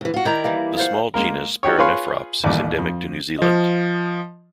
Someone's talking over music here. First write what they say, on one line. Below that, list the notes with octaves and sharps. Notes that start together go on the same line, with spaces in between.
The small genus "Paranephrops" is endemic to New Zealand.
D2 E3
F4 F#4
D#3 E4 D5 G5 A#5
E3 G3 A#3
F4 C5 F#5
G#3 A#3 A#4
D#4 F#4 G4 C#5
F4 G#4 B4 C#5 F5 C6
A1 D#2 G3 D6
F2
F3 D#5